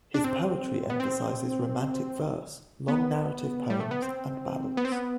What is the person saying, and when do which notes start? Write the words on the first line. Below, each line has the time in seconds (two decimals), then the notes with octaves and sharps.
His poetry emphasizes romantic verse, long narrative poems, and ballads.
0.14 D4
0.24 C4
0.90 B3
1.00 C4
2.88 B3
3.70 G3
3.80 A3
3.91 B3
4.02 C4
4.77 B3
4.85 C4
4.92 B3